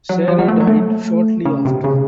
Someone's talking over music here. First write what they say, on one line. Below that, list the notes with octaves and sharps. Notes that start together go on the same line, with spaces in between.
Sara died shortly after.
F#3
F3
F#3
A3
F#3
A3
C#3
C3
C#3